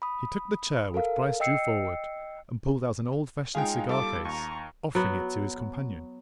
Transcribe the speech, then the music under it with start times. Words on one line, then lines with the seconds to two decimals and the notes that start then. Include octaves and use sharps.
He took the chair which Bryce drew forward and pulled out an old-fashioned cigar-case, offering it to his companion.
0.02 B5 D#6
0.94 A4 A#4 F5
1.40 D#5 G5 E6 C7 C#7
3.55 G#3 D#4 F4 G#4 C#5 F5 G5
3.89 G3 F4 A4 A5 D6
4.25 D#2 A#5 C#6
4.95 F#3 B3